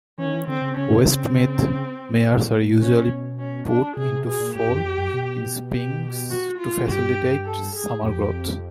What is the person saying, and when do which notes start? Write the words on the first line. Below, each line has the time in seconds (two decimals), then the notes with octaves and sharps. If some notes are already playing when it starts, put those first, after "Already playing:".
Westmeath mares are usually put into foal in spring to facilitate summer growth.
0.18 E3 C#4
0.26 D#3
0.33 E3
0.48 D3 C4
0.62 C#3
0.77 C#3 C#4
0.91 C#3
1.05 C4
2.32 B2
2.41 A#2
2.62 A#2
2.81 B2 C#4
3.39 C#4
3.67 D4
3.96 C3 G#4
4.11 C3
4.26 B2 G#4
4.40 A#2
4.55 A2 G4
4.70 F#2
4.84 F2
4.98 F#2
5.14 B2
5.71 G4
6.30 F#4
6.58 F4
6.87 G2 G4
7.46 A4
7.75 G#4
8.04 F2 G4